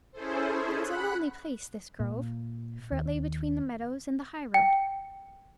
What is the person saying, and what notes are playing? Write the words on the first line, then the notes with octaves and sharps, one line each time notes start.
It was a lonely place this grove; for it lay between the meadows and the high-road.
C#4 E4 G#4 A4 C5
F#5 B5 F#6
A#2
D#2
G5